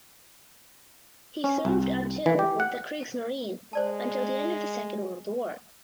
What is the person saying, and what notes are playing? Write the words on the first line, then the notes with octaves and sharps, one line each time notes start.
He served until with the Kriegsmarine until the end of the Second World War.
C#4
C2
E3
G4
F#5
G#3 C5 D5 A5